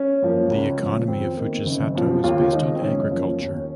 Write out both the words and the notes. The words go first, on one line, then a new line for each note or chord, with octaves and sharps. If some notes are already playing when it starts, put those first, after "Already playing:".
The economy of Fujisato is based on agriculture.
Already playing: C#4
F#2 F3 A#3
C#2
C#3 F3
F2 C4
D#3 A#3
F#1
F#2 F3
D#2 F4
D#3 G#3 D#4
C4
F#1 C#4
F#2 F3 A#3
D#2